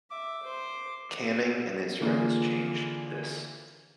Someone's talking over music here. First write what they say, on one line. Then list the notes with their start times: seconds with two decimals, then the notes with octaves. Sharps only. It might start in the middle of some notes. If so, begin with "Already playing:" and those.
Canning and his friends changed this.
0.11 E5 D6
0.42 C5
2.01 D3 E3 A#3 D4 F4 G#4